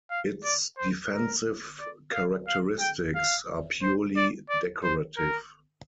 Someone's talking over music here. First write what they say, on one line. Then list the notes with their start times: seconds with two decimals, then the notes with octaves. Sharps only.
Its defensive characteristics are purely decorative.
0.10 F5
0.44 D5
0.78 C5
1.12 A#4
1.80 D5
2.13 F5
2.48 F5
2.80 G5
3.15 F5
3.82 C5
4.16 D5
4.50 D5
4.84 C5
5.17 A#4